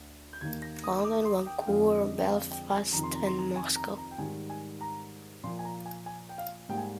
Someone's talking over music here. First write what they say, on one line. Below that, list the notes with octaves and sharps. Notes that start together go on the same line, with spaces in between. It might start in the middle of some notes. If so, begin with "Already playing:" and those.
London, Vancouver, Belfast and Moscow.
Already playing: D2 D3
G6
D#2 D#3 A#3 G#6
A#6
D#6
D6
C6
G5
G5
F2 D3 G#3 F5
D#5
G5
F5
G5
G#5
F2 C3 D#3 A#5
C6
A#5
C6
A#5
G#5
A#5
A#5
G5
G#2 D#3 G3 G#5
G#5
A#5
A#2 F3 A#3 C6
G#5
A#5
G#5
G#5
G5
F5
G#2 G3 A#3 G5
G#5